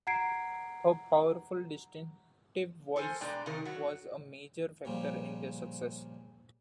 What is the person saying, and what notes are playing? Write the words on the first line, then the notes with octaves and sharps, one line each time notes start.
Her powerful, distinctive voice was a major factor in their success.
F#5 A#5 G#6 C7 D7
A4 A#4 C5 G#5
B2 G#3 D4 D5 G5 A#5
C3 D#3 D#4 A#4
F#3 F#4
A#2 C#3 F3 G3